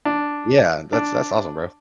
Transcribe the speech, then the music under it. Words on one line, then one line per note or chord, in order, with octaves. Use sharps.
Yeah, that's that's awesome, bro.
D4
D4